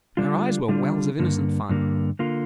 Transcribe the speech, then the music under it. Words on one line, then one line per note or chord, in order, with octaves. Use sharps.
Her eyes were wells of innocent fun.
D3 G3 D4 F4
D3 G3 D4 F4
G2 D3 A#3
G2 D3 A#3
D3 A#3 F4